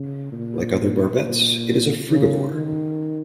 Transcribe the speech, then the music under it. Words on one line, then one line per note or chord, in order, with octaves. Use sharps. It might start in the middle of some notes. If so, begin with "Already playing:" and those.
Like other barbets it is a frugivore.
Already playing: C#3
A#2
A#2
C#3
D#3